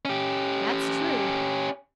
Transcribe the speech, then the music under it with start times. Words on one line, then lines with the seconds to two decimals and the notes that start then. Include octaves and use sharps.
"That's true."
0.05 C#4 G4